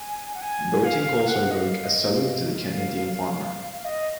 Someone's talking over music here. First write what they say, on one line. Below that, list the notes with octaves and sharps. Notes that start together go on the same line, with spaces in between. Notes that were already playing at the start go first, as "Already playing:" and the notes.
Berting calls her work "A Salute to the Canadian farmer".
Already playing: G#5
F#5
G#5
F5
F#5
D#5
F5
D#5
F5
D#5
F5
F5
D#5